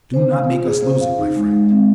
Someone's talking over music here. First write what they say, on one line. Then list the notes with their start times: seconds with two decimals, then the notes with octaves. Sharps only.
"Do not make us lose it, my friend."
0.14 C5
0.31 F5
0.49 F4
0.66 G#4
0.83 C5
1.01 F5
1.18 D#4
1.36 G#3
1.53 G#3
1.71 C4